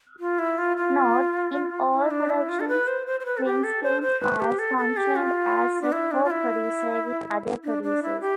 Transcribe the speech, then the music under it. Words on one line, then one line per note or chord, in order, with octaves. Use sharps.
Note: In all productions Weinstein has functioned as a co-producer with other producers.
F4
E4
F4
F4
E4
D4
E4
F4
A4
B4
C5
C5
C5
B4
A4
G4
A4
C5
C5
B4
G4
A4
A4
G4
F4
D4
E4
D4
F4
E4
D4
D4
E4
G4